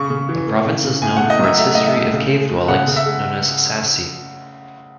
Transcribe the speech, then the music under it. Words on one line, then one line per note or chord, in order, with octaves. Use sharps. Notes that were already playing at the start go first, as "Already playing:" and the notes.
The province is known for its history of "cave dwellings" known as "sassi".
Already playing: C#3 C#6
C#3
E3
A3
C#3
C#3
A2 G#5
A2 F#5
D#5
F#3 E5
A3 E5
A2 D#5
E5
A2
C#3
G#3
G#3
C#3 F#5
C#3
E5
G#3